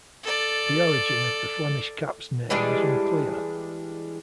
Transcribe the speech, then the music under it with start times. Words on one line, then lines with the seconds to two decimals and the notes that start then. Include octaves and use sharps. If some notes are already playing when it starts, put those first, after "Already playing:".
The origin of the Flemish Cap's name is unclear.
0.23 A4 D5
2.50 E3 G3 G#3 D4